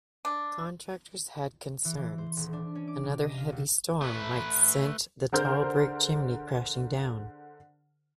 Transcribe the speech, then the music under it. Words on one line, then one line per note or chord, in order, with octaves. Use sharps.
Contractors had concerns 'another heavy storm might sent the tall brick chimney crashing down'.
D4
E3
E3
C5
D#1
D4
C#4
D6
C3
D#5
F5
C#2
A3 B4
D3 G#4 A#4 C5 F6 G6